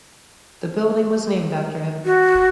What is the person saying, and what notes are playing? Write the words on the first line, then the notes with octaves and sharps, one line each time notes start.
The building was named after him.
F#4